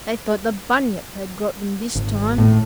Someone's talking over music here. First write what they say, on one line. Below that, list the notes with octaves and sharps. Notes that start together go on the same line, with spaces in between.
They thought the Bunyip had got them this time.
G#1
A2